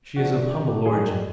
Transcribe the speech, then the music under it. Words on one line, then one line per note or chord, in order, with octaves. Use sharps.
She is of humble origin.
D3 F3 A3 D4 F#4
G4
F#2 D#3 G3 G#4